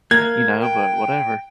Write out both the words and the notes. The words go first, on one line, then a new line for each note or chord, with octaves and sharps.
you know, but whatever.
A#3 G#6
G5